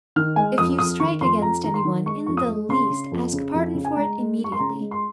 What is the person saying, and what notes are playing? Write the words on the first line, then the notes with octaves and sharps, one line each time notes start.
If you strike against any one in the least, ask pardon for it immediately.
D#3 F6
G#3 G#5
F2 D#6
F2 D#6
D#3 C#6
F2 C6
F2 A#5
D#3 A#5
C6
D#3
G#3 C#6
F2 C#6
D#6
G#3
C#3 C6
C#3
F2
C#3
F2
C#3
G#5
G#3 A#5
G#3
G#3
C#6
C6
C#3 A#5
G#3
C6